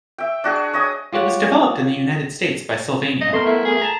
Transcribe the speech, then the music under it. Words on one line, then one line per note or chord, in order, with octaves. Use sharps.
It was developed in the United States by Sylvania.
E5 G5
D4 F#4 G#4
C#5 D#5 G5 D#6
F4 G4 C#5 F#5
D#5
A3 B3 A#4 C6
E4
G#4
A5 A#5